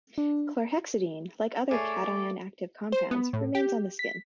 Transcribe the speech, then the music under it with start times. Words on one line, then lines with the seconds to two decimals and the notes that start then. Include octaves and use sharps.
Chlorhexidine, like other cation-active compounds, remains on the skin.
0.18 D4
1.71 A3 G#4 C#5 D5
2.92 C5
3.11 B3
3.33 A2
3.55 G4
3.99 B6